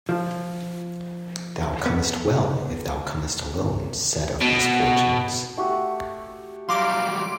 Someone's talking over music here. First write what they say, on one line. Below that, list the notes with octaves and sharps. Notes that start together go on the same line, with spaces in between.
Thou comest well, if thou comest alone said of misfortunes.
F3
B3
B2
A3 F#4 G4
F#3 G3 F5 C6 D6 D7